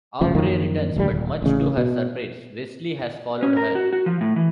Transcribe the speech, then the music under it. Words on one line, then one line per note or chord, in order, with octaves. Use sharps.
Aubrey returns, but much to her surprise, Wesley has followed her.
F1 C#3 F3
F#2 D#3 F3 A#3
E1 D2 G3
D#1
A1 C#3
B2
C#4
A#4
F#4
F#4
F3
A2
E3